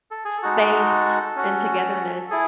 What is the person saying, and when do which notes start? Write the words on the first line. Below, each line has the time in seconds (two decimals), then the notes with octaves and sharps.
space and togetherness,
0.11 A4
0.25 G#4
0.38 A4
0.43 G#3 D#4 F#4
1.36 C#4 F#4
2.31 E4 G#4